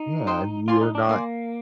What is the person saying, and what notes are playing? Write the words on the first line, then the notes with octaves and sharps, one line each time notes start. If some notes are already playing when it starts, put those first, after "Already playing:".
Yeah, and you are not
Already playing: D#4
C5 D#5 G5 C6
F4 D5 G#5 C6
D#4
D4
A#3 D5 G#5 C6